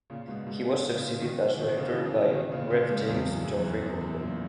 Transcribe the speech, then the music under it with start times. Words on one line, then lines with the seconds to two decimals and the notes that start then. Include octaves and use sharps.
He was succeeded as Rector by Rev James Geoffrey Gordon.
0.10 A#2 C#3
0.28 G#2 B2
0.46 G#2 B2
0.93 A#2 C#3
1.21 B2 D#3
1.52 E3
1.58 B2 D#3
1.78 C#3 E3
2.05 C#3 E3
2.33 B2 D#3
2.52 A#2 C#3
2.70 A#2 C#3
2.89 G#2 B2
3.08 E2 G#2
3.27 F#2
3.45 E2
3.59 F#2
3.63 E2
3.82 E2
4.01 F#2
4.19 F#2 A#2